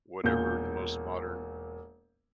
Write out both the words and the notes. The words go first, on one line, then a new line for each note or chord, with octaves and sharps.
whatever the most modern,
E1 A#2 G6